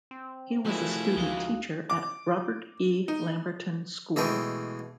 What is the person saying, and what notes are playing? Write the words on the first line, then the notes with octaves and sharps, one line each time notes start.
He was a student teacher at Robert E. Lamberton School.
C4
F3 A3 E4 F#4 G#4 A#4
D2 F3 G#3 D#4 F#4 F5
D6
D#4
B2 E3 G#3 A3 G5